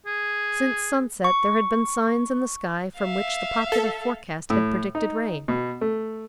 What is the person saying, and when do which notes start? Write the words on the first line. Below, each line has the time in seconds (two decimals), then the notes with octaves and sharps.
Since sunset, there had been signs in the sky from which the popular forecast had predicted rain.
0.06 G#4
1.24 C#6
2.99 E5 F5
3.72 A4
4.50 A2
4.95 D#4
5.48 B2
5.81 A3